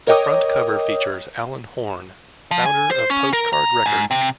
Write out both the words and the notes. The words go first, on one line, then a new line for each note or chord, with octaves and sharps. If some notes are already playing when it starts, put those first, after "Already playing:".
The front cover features Alan Horne, founder of Postcard Records.
A#4 C#5 D#5 G5 D6 D#6
F3
G#5
C5
C#4
A#4
A#5
G#2
C3